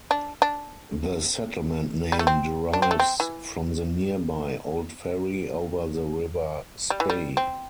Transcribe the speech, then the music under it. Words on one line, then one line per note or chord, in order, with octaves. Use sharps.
The settlement name derives from the nearby old ferry over the River Spey.
D4
D4
G3
A3
C4
D4
C4
A3
C4
E3
G3
E3
G3
C4